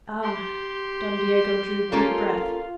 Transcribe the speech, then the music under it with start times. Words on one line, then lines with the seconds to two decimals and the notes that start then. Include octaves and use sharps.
"Ah!" Don Diego drew a deep breath.
0.23 G4 C6
1.92 A#3 C#4 F4 A4